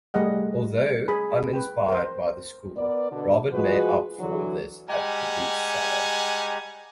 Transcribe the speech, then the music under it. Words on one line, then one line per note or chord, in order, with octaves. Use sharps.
Although uninspired by the school, Robert made up for this at the bookseller.
G3 A3 G#4 D#5 F#5
G#4 G#5 B5
B4 G5
A#4 C5
B3 A#4 B4 D5
B2 D3
F3 G#3 F4 F#4 G#4 B4
D3 E3 F#3
G3 G#3 G4 F#5 G#5 A#5